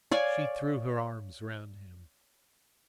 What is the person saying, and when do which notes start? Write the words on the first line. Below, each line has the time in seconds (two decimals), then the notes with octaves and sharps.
She threw her arms round him.
0.11 C#5 D5 F5 G#5